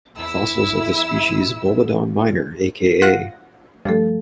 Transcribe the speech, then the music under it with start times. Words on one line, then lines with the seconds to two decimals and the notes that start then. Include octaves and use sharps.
Fossils of the species "Bolodon minor", aka.
0.15 E2 E4 E6
3.02 F4 F#5 A#6
3.85 G2 F3 A3 A4